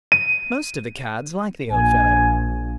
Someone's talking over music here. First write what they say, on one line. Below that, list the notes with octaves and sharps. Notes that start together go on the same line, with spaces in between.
Most of the Cads like the Old Fellow.
D#7
A#1 G#5